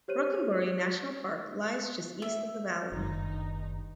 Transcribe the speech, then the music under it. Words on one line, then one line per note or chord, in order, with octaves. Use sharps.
Rohkunborri National Park lies just east of the valley.
G4 C5 C#5 D#7
E5
F#1 G2 D#3 D#4